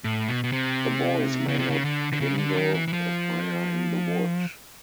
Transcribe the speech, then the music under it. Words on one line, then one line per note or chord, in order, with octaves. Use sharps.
The boys may not kindle a fire in the wood.
A2
B2
B2
C3
C#3
C3
C#3
D3
D3
C#3
D3
D#3
E3
E3
F3